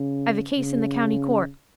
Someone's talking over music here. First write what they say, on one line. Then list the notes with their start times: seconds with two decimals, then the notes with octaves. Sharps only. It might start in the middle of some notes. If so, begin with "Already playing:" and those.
I've a case in the County Court.
Already playing: C#3
0.58 C#3